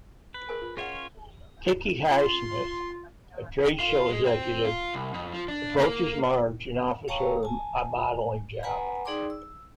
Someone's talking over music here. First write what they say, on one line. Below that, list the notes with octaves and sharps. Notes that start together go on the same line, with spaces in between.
Kiki Highsmith, a trade show executive, approaches Marge and offers her a modeling job.
B4
G#4 A#4 G#5
F4
C#4 F4 G#4 C#5 D#5 F#5
F4 C6
F4
G#3
C4
F4
C2
F2
F3
D4
A#3
C#5 F5 G5 A5 A#5 C#6
G#5 A5
B4 F#5 G#5 A#5 B5
D#4 G#4 D5 G5 C6 D6
E6